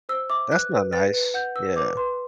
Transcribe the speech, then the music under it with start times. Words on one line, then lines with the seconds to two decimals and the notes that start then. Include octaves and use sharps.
That's not nice. Yeah.
0.09 C5 E6
0.30 E5 D6
0.51 B4 F#6
0.72 B4
0.93 B4 A6
1.14 B4
1.34 F#5 G6
1.55 B4 E6
1.76 B4 D6
1.97 B4 C6